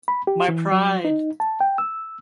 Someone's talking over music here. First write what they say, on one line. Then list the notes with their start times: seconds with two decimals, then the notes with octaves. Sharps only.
My Pride!
0.08 B5
0.27 G4
0.48 E3
0.72 F#3
1.05 D#4
1.40 A5
1.61 G5
1.78 E6